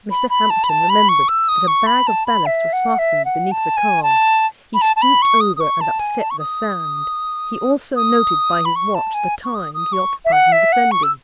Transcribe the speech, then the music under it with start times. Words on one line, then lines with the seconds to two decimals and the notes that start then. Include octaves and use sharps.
Mr. Hampton remembered that a bag of ballast was fastened beneath the car, he stooped over and upset the sand, he also noted by his watch the time he occupied in descending.
0.11 B5
0.30 B5
0.50 A5
0.64 B5
0.69 A5
0.89 B5
1.09 C#6
1.28 E6
1.48 D#6
1.68 C#6
1.87 B5
2.07 A5
2.26 B5
2.46 E5
2.73 F#5
2.99 E5
3.25 F#5
3.51 A5
3.77 G#5
4.03 A5
4.74 B5
4.82 A5
4.96 A5
5.02 B5
5.22 C#6
5.41 D#6
5.56 D#6
5.60 C#6
5.81 A5
5.99 G#5
6.20 A5
6.30 C#6
6.39 D#6
7.96 D#6
8.65 B5
8.76 C#6
8.95 A5
9.14 G#5
9.44 C#6
9.55 D#6
9.74 D#6
9.93 C#6
10.25 E5
10.32 F#5
10.52 E5
10.72 F#5
10.91 C#6
11.03 E6